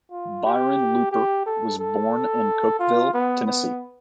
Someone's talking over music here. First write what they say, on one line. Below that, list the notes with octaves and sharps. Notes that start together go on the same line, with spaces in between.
Byron Looper was born in Cookeville, Tennessee.
F4
G4
G4
A4
A4
F4
B3
B3